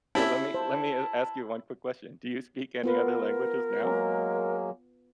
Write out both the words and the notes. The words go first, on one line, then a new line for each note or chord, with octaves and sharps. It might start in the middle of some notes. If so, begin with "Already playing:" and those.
Oh, let me let me a ask you one quick question, do you speak any other languages now?
C4 C#4 E4 G4 E5 A5
C5 A5
B3 F4 A#4 B4
F#3 G#3 A#3